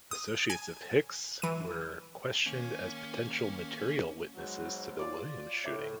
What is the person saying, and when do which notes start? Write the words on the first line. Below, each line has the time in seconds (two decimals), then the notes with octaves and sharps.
Associates of Hicks were questioned as potential material witnesses to the Williams shooting.
0.11 D#6
0.50 G#5
1.42 E3 D#7
2.47 D#3 A#3 C#4
4.34 G#2 B2 F#3
4.99 F4 C#5 D5 D6
5.64 A2 C#5 E5 D6